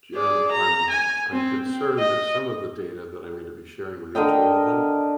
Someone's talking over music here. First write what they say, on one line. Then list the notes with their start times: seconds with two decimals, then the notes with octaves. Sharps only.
ju um, I'm I'm concerned that some of the data that I'm going to be sharing with each one of them
0.14 G#4 D5
0.52 A#5
0.90 G#5
1.32 C4
1.67 C4
1.99 D#5
4.15 D3 A#4 D#5 G5